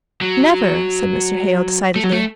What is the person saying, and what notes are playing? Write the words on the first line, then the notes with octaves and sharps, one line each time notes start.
'Never!' said Mr. Hale, decidedly.
F#3
A3
F#3
A3